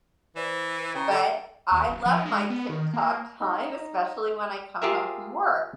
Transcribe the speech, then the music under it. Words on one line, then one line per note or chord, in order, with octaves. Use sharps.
but I love my TikTok time, especially when I come home from work,
E3 C5 D5 E7
C#3 G5 A#5
D3
D#2
F#1
F3
G#3
B3
D#3
A#3
D#4
F4 G4 G#4 A#4 E5